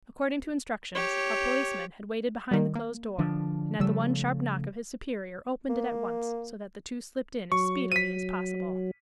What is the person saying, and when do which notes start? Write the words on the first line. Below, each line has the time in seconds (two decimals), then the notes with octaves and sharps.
According to instructions, a policeman had waited behind the closed door, and at the one sharp knock of his superior opened it at once so that the two slipped in as speedily as possible.
0.95 G4 C#5
2.51 D#3 G3
2.75 A#3
3.18 D3 F3 D4
3.80 C#3 F3 G3 A3 E6
5.70 A#3
7.52 F#3 C#6
7.92 B6 D#7